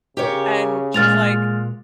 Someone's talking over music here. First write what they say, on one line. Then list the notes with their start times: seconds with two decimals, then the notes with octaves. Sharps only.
and she's like,
0.17 C#3 G4 A#4 C#5
0.94 A#2 G#3 F6 A6 F7